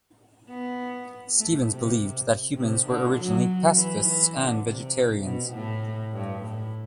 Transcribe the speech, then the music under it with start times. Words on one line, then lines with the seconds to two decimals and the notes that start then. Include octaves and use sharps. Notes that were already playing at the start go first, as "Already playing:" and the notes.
Stevens believed that humans were originally pacifists and vegetarians.
0.49 B3
1.38 A3
1.68 C3
2.57 C3
2.86 D3
3.16 F#3
3.76 E3
4.05 E3
4.35 D3
4.65 C3
5.24 B2
5.54 A2
6.13 G2
6.42 A2